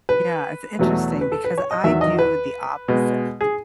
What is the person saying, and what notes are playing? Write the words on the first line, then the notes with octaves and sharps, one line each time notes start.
Yeah, it's interesting because I do the opposite.
B4
E2 B2 F#3 A3
B4
A4
B4
C#5
D#5
E2 D#3 F#3 E5
D#5
B4
B2 G#3
G#4